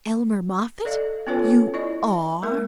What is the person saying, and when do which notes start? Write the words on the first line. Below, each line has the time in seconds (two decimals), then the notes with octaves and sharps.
"Elmer Moffatt--you ARE?"
0.85 A4 D5 D#5 F5
1.27 B3 C#4 F4 A4 B4 C#5
1.74 E4 D5 D#5
2.43 G#3 A#3 A#4